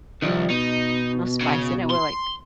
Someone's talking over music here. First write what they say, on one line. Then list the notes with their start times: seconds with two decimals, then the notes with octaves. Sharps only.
no spice in it, we're like,
0.22 C2 D#3 F3 G3
0.50 B2 D#4
1.41 C#3
1.90 C6